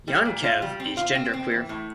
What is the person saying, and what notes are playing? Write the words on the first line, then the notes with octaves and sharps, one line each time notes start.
Yankev is genderqueer.
G3
A#2
F4
G3
C4
F4
C4
C4
E3
A2